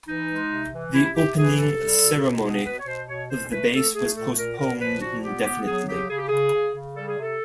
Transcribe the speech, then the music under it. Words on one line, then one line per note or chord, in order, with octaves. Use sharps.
The opening ceremony of the base was postponed indefinitely.
E3 D#4
G#3
C3
E3
C3 E4
C3 G4
E3 G#4
C3 A4
G3
B2
B2
B3
B2 B4
C#5
B2 C5
B2 C#5
B2 C5
A3 B4
A3 A4
A3 G#4
A#2 A4
A#2 A#4
A#2 A#4
F3 B4
A#2 F#4
B3 G4
B3 G4
F#3 G#4
C#3 G4
C#3 G#4
G4
C#3 G#4
C#3
C#3
G3 A4
G#4
C3 A4